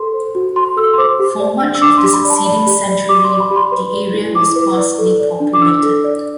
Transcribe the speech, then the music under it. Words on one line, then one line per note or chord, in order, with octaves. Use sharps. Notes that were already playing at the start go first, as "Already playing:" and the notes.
For much of the succeeding century, the area was sparsely populated.
Already playing: A4 C6
C5
F#4
F#4 C6
A4 E6
C6
C5 D6
G4
D5
D4
E6
D4 D6
C6
G4
B5
D5
A5
D5 B5
G4
D5
G4 D6
C6
D5
B5
G4
C6
B4
D5
E4
E4 D6
B4
D5
A4
D5
D4
D6
D4 E6
A4
D5